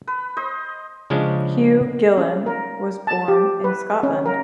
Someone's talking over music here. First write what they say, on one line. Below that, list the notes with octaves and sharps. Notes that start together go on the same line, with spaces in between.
Hugh Gillan was born in Scotland.
B4
C5 D#5
C#3 F3 G#3 C#4 D4
C#4
A#4
A5
G4
B4
C#4
A#4